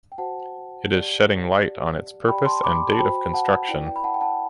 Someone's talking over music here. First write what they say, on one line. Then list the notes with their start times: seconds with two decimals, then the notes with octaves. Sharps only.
It is shedding light on its purpose and date of construction.
0.12 G5
0.18 F#4 C5 F#5 A5
0.88 G4 D5
1.59 G4 D5
2.28 G4 D5 G5 B5
2.46 A5 C6
2.63 B5 D6
2.92 A5
2.99 F#4 C5 G5 B5
3.34 F#5 A5
3.69 E4 B4 D5 G5
3.86 G5
3.96 B5
4.04 F#5 A5
4.14 G5
4.21 F#5 A5